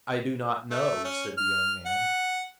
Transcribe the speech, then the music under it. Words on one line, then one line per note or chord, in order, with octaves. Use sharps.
"I do not know," said the young man.
A3
C#4
F6
F#5